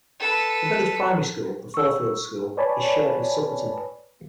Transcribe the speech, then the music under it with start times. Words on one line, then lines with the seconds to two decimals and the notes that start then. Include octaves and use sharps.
The village primary school, the Fourfields school, is shared with Sutterton.
0.20 A4 B4
1.74 C#6 E6
2.57 B4 C#5 D5 G#5 A5 B5